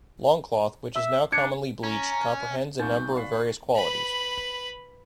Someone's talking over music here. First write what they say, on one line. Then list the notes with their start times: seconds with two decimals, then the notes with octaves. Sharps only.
Longcloth, which is now commonly bleached, comprehends a number of various qualities.
0.96 E5 E6
1.32 D4 G#6 C#7
1.83 C#4 A#5
2.80 C2 A#2 B3 D#4 C#6 G6 A6
3.16 F#4 D5 F5 F#5 B5 C7
3.76 B4 B5